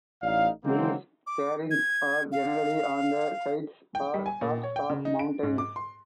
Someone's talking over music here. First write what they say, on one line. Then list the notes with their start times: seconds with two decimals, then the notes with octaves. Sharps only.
These cairns are generally on the sides or tops of mountains.
0.23 A1 A2 D#4 D5 F5
0.64 C#3 E3 F#3 G#3 A#3 C4
1.27 D6
1.71 G#6
2.32 F5
3.95 G5
4.14 G3
4.26 G#5
4.41 A#2
4.64 C#5
4.76 G5
4.90 C#3
5.05 D#4
5.19 D7
5.43 G#2
5.58 D6
5.76 C6